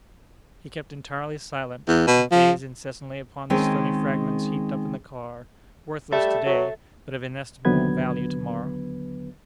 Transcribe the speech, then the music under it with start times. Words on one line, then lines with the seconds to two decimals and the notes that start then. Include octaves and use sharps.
He kept entirely silent, and gazed incessantly upon the stony fragments heaped up in the car--worthless to-day, but of inestimable value to-morrow.
1.88 E2
2.07 B2
2.32 F3
3.50 D#3 G#3 C4 C#4 A#4
6.12 G3 A4 E5
6.46 F#3
7.65 D#2 D3 F#3 B3 B4 G#6